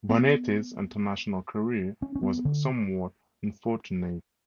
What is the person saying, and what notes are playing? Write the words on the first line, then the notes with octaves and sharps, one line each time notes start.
Bonetti's international career was somewhat unfortunate.
B3
C#4
C#4
B3
D3